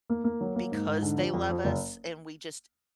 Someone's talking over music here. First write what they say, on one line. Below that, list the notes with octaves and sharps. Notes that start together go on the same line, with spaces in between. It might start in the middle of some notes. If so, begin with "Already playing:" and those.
because they love us, and we just,
A#3
A#3
F#3
A#3
G#2
G#2
D3
F3
F2
F3
F#1